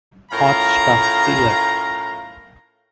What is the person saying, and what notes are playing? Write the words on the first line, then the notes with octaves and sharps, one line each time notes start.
Hot Stuff feat.
A2 C#4 F4 A#4 F5 A#5